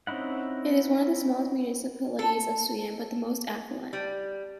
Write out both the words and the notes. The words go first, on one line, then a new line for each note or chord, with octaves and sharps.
It is one of the smallest municipalities of Sweden, but the most affluent.
C4 C#4 D#4 E4 F#5
A4
G3